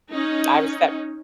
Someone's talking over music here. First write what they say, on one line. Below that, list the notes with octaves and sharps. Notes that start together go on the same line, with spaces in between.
I was set f
C#4 D#4